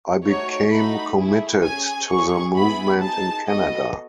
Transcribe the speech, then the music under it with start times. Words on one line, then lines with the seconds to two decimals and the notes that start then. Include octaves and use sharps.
I became committed to the movement in Canada.
0.24 A3 D#4 F#4 C#5
0.71 A3 D#4 F#4 B5
1.17 A3 E4 G#4
1.63 C#4 G#4 G#5
2.09 C#4 G#4 C#6
2.55 B3 E4 G#4 B5
3.01 D#4 G#4 A5
3.48 B3 F#4 A4 D#5